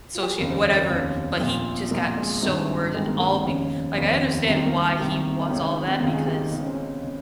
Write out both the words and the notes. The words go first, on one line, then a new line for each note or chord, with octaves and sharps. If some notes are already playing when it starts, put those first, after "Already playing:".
socia whatever." But he just got so wor all bec like, I understand why he wants all that because,
F4
G4
G#4
F1 D#2 C#3 A#4
C5
C#5
A#4
F1 D#2 C#3
A#1 A#2 C4
A#1 A#2 A#3
G#3
G#1 G2 D#3
G#1 G2 D#3 G#3
A#3
A#3
C4
F1 D#2 C#3 C#4
F1 D#2 C#3 C#4
C#4
C4
C2 C3 D#3 A#3
C4
A#3
C2 C3 D#3
D#4
C#2 C3 D#3 C#4
D#4
C#4
C4
C#2 C3 D#3 A#3
G#4
G4
D#4
C#2 C#3 C#4 D#4
C4
C#4
C#3